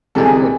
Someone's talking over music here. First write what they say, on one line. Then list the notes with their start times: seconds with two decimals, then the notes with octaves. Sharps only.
I know it
0.15 C2 C3 E3 G#3 A4
0.25 G#4